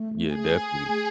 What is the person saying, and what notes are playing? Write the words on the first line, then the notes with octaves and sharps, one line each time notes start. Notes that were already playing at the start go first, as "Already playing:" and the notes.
Yeah, definitely.
Already playing: A3
G#4
A3